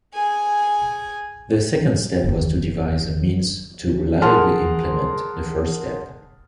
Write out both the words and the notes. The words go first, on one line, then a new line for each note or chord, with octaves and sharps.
The second step was to devise a means to reliably implement the first step.
G#4 G#5
F#1 D#2
G#4 A#4 F#5 A5 C6 F6